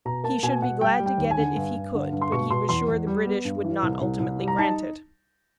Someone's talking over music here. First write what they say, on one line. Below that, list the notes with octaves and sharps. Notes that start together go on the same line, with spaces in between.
He should be glad to get it if he could, but he was sure the British would not ultimately grant it.
B2 A#5
A#3 A5
B2 G#5
B2 F#5
G3 G5
G3
G5
D#2
G#5
D3
G2
G2
D3
G2
C6
B2 C#6
B2 C6
E2 C6
E2
G3
B3
G2
E3
C2
C2
C2
G3
A#5
D#4 A5